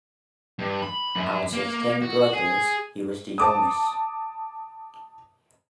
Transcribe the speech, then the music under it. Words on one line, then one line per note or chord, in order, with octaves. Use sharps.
Out of ten brothers, he was the youngest.
G2
B5
F#2
A#3
F#4
G#4
A5 D6 D#6